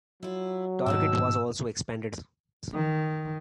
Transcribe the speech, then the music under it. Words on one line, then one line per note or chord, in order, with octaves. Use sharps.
Target was also expanded in size.
F#3 E4 F4
D#2 G#2 B2 A5 E6
D#3